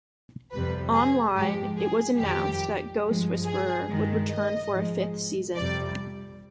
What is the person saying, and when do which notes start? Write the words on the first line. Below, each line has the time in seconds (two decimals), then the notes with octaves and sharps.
Online, it was announced that "Ghost Whisperer" would return for a fifth season.
0.51 F2 C3 G3 B4
0.94 G#4
1.35 G#2 F3 G#3 G4
1.78 G#4
2.19 F2 D#3 G3 G4
3.04 G2 F3 G#3
3.45 G#4
3.87 G2 D#3 G#3
4.29 D#5
4.71 G#2 F3 G#3
5.55 F2 C3 G3 D5